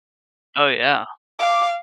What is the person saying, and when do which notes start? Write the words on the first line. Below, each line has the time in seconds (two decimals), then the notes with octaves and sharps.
Oh, yeah.
1.39 F5 D6